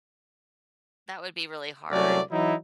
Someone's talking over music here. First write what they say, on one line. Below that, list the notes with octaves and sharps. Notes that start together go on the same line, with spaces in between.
That would be really hard.
C2 F#3 A3 C#4 D5
E3 F#3 D#4 E4